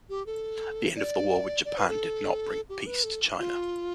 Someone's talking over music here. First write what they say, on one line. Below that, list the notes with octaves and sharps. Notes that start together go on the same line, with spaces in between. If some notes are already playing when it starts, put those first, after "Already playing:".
The end of the war with Japan did not bring peace to China.
G4
A4
D5
D5
B4
A4
G4
B4
A4
F4